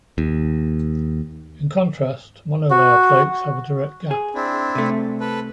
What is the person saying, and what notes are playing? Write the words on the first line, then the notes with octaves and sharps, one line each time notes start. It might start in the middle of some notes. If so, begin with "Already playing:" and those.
In contrast, monolayer flakes have a direct gap.
D#2
F#4
G#4
C4 D4 E4
C3 A3
A4 B4